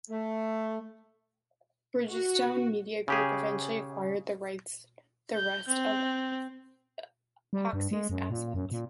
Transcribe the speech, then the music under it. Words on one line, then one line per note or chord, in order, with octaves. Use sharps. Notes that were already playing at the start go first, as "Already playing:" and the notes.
Bridgestone Media Group eventually acquired the rights the rest of Epyx's assets.
A3
F#4
C#3 G4 G#4
G6
C4
G3
G2
G#3
F#2
A#2
F#2
A#2